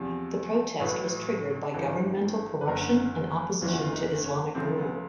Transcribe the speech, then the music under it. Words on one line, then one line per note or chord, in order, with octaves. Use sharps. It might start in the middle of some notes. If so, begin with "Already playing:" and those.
The protest was triggered by governmental corruption and opposition to Islamic rule.
Already playing: E2 C3 F3
A1 A2 F#3 B4
G#1 G2 E3
B4
F#1 F#2 D3 A#4
F#1 E2 C#3 E3 F4
F#4
F4
D#4
C#4
C#2 C#3 F3 A3 C4
B3